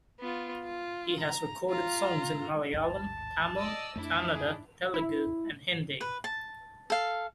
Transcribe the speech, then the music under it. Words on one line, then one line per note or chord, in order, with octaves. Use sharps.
He has recorded songs in Malayalam, Tamil, Kannada, Telugu and Hindi.
B3 F4
F4
A#5
F4 A#5
A1 D#2 G#2 A5
D5 D#5 E6
F2 A3 D4 E4
G#4
E4
B4
A5
A4 F5